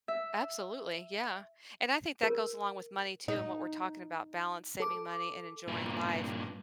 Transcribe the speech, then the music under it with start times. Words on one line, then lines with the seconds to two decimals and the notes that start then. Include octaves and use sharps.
A absolutely, yeah. And I think that goes along with money too, and what we're talking about balance, saving money, and enjoying life
0.08 E5
2.23 A#4
3.28 D#4
4.80 A4 D6
5.68 G2 A#2